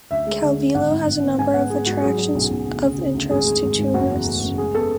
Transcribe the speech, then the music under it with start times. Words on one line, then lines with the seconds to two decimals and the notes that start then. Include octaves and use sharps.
Calvillo has a number of attractions of interest to tourists.
0.11 D2 E5
0.27 G#3
0.43 D3
0.58 D3
0.75 G#1 F#5
0.91 G#1
1.07 G#1
1.23 B3
1.38 G#2 G#5
1.54 B3 F#5
1.70 B3 G#4
1.86 G#2 F#4
2.02 F#3 G#4
2.18 F#3
2.35 B1
2.50 B1
2.66 D2
2.83 C#3
2.98 C#3
3.14 D2
3.31 G#1 G#4
3.46 G#3
3.62 G#1
3.79 G#2
3.94 F#1 F#4
4.10 E2
4.26 A3
4.42 F#1
4.58 G#3 G#4
4.74 B3 A4